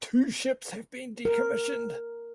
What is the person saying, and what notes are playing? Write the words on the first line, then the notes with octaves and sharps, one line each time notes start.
Two ships have been decommissioned.
A#4